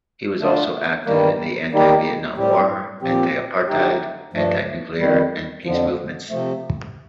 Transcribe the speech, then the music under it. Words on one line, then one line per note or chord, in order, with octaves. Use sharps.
He was also active in the anti-Vietnam War, anti-apartheid, anti-nuclear, and peace movements.
D3 A3 D4 F4
G2 D#3 G3 A#3
D#3 G3 A#3 D#4 G4
A2 G3 C4 G4
A#2 F3 C4 G4
D3 A3 D#4 G4
G2 F3 A3 D4
F2 D#3 G3
F2 D3 F3
C3 F3 A3